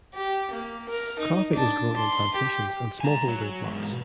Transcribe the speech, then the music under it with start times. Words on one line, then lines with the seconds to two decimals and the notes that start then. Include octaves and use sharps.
Coffee is grown on plantations and small-holder blocks.
0.14 G4
0.51 A#3
0.89 A#4
1.19 D#4
1.53 D4
1.96 C6
2.35 G4
3.00 G#5 A#5
3.28 F#3
3.65 E2 G#2
3.90 B2